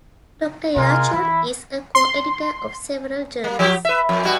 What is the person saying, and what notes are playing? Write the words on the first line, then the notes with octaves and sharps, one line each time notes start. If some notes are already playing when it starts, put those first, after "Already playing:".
Doctor Yarchoan is a co-editor of several journals.
C3 G#3 F4 A#4
E3 E4
C6
A#3
F3 F#3 G4
B4 E5
F2
B2 G3 F#4